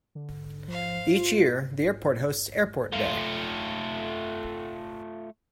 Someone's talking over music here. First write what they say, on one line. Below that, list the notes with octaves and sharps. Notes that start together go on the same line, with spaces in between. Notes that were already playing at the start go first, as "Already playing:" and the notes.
Each year, the airport hosts Airport Day.
D3
F3 C5 F5
F4
A3 F4